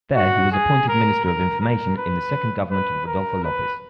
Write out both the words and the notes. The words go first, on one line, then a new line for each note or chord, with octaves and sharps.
There he was appointed Minister of Information in the second government of Rodolfo Llopis.
F#4
G#4
A#4
A#4
A#4
B4
B4
A#4
B4